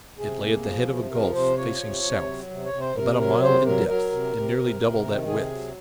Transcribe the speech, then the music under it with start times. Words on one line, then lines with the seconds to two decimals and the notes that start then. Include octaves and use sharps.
It lay at the head of a gulf facing south, about a mile in depth and nearly double that width.
0.18 C3 G#4
0.42 A#3
0.65 F3
0.88 C3
1.11 F3 A#4
1.34 C3 C5
1.57 F3 C#5
1.81 C3
2.04 C3
2.27 F#3
2.50 C3
2.65 C#5
2.73 C3
2.80 C5
2.96 C3 A#4
3.19 F#3 A#4
3.42 C3 C5
3.66 F#3 A#4
3.89 F#3 A#4
4.12 C3
4.35 C3
4.58 C3
4.81 C3
5.04 D#3
5.27 C3 G#4
5.50 F#3